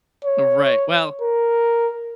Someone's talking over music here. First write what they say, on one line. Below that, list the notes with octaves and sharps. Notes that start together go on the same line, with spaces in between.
Right, well
C#5
A#4